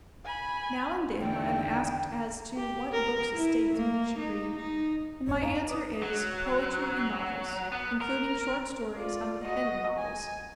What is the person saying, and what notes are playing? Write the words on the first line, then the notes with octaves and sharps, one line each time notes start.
Now and then I am asked as to "what books a statesman should read," and my answer is, poetry and novels--including short stories under the head of novels.
G#5 B5
E2 D3 D#3 G5
G4
A#4
E4
A#3
D#4
D#4
E2 G#2 C#4 C#5
F#2 D#4 F5 A#5
B4 D6 D#6
F#3
B3
A#4
F4 D5
F#4 D#5
G#5